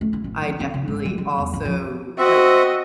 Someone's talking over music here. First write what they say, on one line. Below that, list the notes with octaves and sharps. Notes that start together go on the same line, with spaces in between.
I definitely also, like
A3
E4
A1
E3
C4
C#3
G#1
G3
G3
E2
A1
F3
C4 F#4 D#5 E5